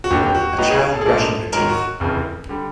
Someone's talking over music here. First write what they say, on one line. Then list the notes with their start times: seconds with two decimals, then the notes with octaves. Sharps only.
A child brushing her teeth.
0.04 F#4
0.10 F1 D#2 D3 F#3 G4
0.26 G4
0.35 F#4
0.58 A2 F#3 B3 D#4 G4
0.70 G#4
0.82 G#4
0.94 A4
1.01 G#4
1.05 A#1 G#2 F3 A#3 D4 A4
1.53 G#2 D#3 F#3 A#4
1.69 F#4
2.00 F1 F2 C#3 E3
2.49 D3 G3